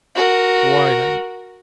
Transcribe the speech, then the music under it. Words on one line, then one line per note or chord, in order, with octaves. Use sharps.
"Why then?"
F#4 A#4